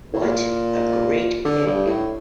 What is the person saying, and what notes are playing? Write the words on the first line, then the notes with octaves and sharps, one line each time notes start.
What a great pic!
A2
A#2
D3
G2
A2